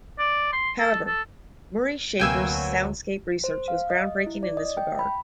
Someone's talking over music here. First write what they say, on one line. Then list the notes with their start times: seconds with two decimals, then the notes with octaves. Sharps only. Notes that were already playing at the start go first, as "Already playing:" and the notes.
However, Murray Schafer's soundscape research was groundbreaking in this regard.
0.19 D5
0.53 C6
0.79 A4
1.06 A4
2.19 D2 C3 F#3 A#3 B4 G5 G#5 E6
3.44 C5
3.68 F5
3.90 D#5
4.26 E4
4.43 D5
4.57 D#5
4.77 G5
4.99 B5